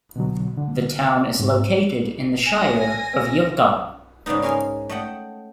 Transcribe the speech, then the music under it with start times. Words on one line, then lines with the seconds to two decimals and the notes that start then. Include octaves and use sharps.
The town is located in the Shire of Yilgarn.
0.16 B2 D3 F#3
0.57 D3
1.40 G#2
2.46 G#5 A#6
4.26 G#2 C#3 G3 B3 D#4
4.42 C#4 G#4 A#4 F5 G#5 C6
4.89 A3 D#5 F#5 G5